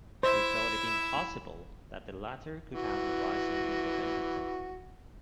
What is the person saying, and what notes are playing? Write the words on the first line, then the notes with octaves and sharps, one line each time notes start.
He thought it impossible that the latter could have arisen independently.
E4 C5 E5
E3 F#4